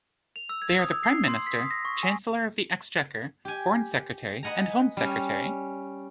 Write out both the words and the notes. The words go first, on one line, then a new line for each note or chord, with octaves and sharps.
They are the Prime Minister, Chancellor of the Exchequer, Foreign Secretary and Home Secretary.
F7
E6
G#6
D#6
E6
C7
C6
B6
D#6
A#6
C#6
G#5
G4 G#5
B4 D#5 F#5 G#5 A#5
G3 C#4